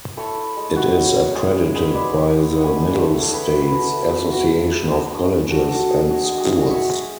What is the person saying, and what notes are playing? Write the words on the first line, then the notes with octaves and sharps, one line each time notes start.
It is accredited by the Middle States Association of Colleges and Schools.
E4 A4 C#5
E4
G#3
E4 F#4
C#4
C#4
G#3 G#4
E4 G#4
G#3 G#4 B4
G#3 B4 C#5 D5
G#3
G#3
E4 F#5
G#5
A3 F#5
G#5
A3 D5 F#5
A3 A4 C#5
A3 G#4 B4
E4
B4
E4 F#4 A4
A3
A3
A3 F#4
E4
A3
D4 G#4
D4
D4
D4 F#4 A4
D4 F#4 A4
D4 G#4
G#3 F#4
G#3 G#4
G#4
G#3 F#4
G#3 C#5 E5
G#3